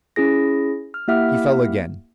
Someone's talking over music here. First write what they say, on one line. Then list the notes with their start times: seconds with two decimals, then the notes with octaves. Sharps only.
He fell again.
0.16 C#4 E4 G#4 A#6
0.94 F6
1.08 A#3 E4 G4 E5 F#5 F6